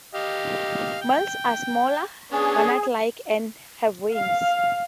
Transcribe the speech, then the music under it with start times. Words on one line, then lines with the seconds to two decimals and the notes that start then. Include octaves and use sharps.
Males are smaller, gnat-like and have wings.
0.15 G4 D#5 F5
1.02 G5
2.32 B3 C#4 D4 G#4
4.12 F5